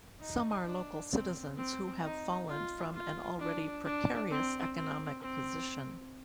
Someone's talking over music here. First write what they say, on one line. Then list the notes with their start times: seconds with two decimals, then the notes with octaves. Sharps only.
Some are local citizens who have fallen from an already precarious economic position.
0.20 D#4
0.65 D4
1.11 C4
1.57 C4
2.03 D#4
2.48 F4
2.94 F4
3.39 D4
3.85 D4
4.30 C4
4.76 C4
5.22 C4